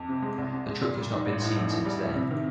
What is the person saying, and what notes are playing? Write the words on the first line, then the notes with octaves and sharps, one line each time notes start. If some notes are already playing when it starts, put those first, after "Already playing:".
The truck has not been seen since then.
Already playing: F2
C3
G#3
C2
C3
G#3
A#2
G3
D#4
A1
A2
A1
E3
G3
E4
C3
D#3